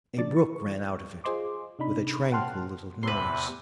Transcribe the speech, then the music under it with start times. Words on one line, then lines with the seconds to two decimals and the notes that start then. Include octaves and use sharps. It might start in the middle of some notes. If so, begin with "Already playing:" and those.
A brook ran out of it, with a tranquil little noise.
0.17 C#3 F3 D4 D5 A6
0.37 C#6
1.24 F4 G#4 C5 D#5 C6 D6
1.79 C3 D4 D#4 B5
2.32 F#5 G5 A5 C6 F6 F#6
3.03 E2 C3 B4 C6